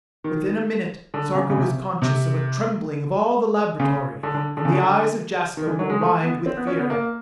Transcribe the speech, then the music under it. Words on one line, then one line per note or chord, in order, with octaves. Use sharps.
Within a minute, Sarka was conscious of a trembling of all the laboratory, and the eyes of Jaska were wide with fear.
D#3
D3
C#3
C#3
C3
C3
C#3
D3
D3
D3
C#3
D3
D#3
E3
F#3
G#3
A3
B3
C4
B3
C#4
B3
A#3